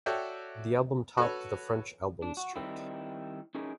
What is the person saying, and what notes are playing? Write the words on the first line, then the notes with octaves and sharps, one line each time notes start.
The album topped the French Albums Chart.
F#4 A4 C#5 D5 E5 G5
F#4 A4 B4 C#5
D4
F#4
D#3 G3 C4 D#4 E4
C#4 D#4 E4 G#4 A#4